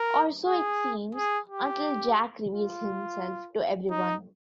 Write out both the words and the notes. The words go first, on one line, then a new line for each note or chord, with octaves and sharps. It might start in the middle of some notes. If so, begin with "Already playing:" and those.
Or so it seems...until Jack reveals himself to everyone.
Already playing: A#4
G#4
G#4
G4
F4
D#4